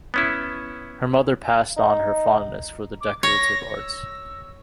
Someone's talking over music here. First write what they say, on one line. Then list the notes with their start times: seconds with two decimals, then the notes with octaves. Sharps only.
Her mother passed on her fondness for the decorative arts.
0.14 B3 C#4 E4
1.77 D#4
3.01 D6
3.23 C#5 A#6
3.76 E6